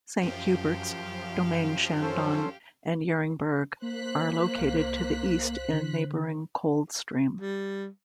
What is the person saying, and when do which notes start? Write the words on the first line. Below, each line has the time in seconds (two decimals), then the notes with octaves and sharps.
Saint Hubert's, Domaine Chandon and Yeringberg are located to the east in neighbouring Coldstream.
0.21 F#2 F3 G4 F5
2.01 C#4 A4 C5
3.82 A#3 C5 F#6 B6
4.58 C2 F5
5.73 D3
7.40 G3